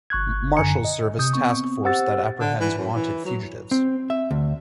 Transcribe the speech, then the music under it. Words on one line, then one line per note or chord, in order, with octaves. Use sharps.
Marshals Service task force that apprehends wanted fugitives.
G1 C#6 F#6 G#6
F#2 D3 G#5 A#5 C#7
D#5
C3 D#6 G6
B3 C4 C#6
G4 C5 F#5 E6 A6
D3
E3
F#2
E3
F#3
C4
E5
D2